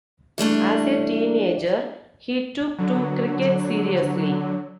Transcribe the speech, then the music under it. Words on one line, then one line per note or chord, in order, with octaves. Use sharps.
As a teenager, he took to cricket seriously.
E3 G3 A3 D4
D3 F#3